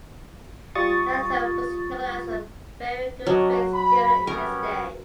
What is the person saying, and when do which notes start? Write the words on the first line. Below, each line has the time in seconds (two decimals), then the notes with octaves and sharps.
Latham was known as a very good base stealer in his day.
0.75 G3 F4 C#6 D#6 A6
3.27 F#3 C#4 D4 D#5
3.74 B5
4.27 G3 B3 C#4 A#4